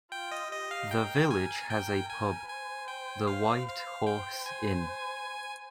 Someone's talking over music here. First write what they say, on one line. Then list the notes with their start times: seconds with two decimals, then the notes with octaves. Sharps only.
The village has a pub, the "White Horse Inn".
0.12 F4 G5
0.32 D#5
0.51 G4 D#5
0.71 F5
0.91 A#4 G5
1.31 G#5
1.70 A#4 G5
2.10 G#5
2.48 C5 G#5
2.88 G5
3.27 F5
3.68 F5
4.07 C5 G5
4.46 G#5